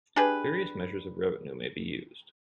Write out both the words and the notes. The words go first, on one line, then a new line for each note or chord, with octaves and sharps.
Various measures of revenue may be used.
D4 G4 G#4 B4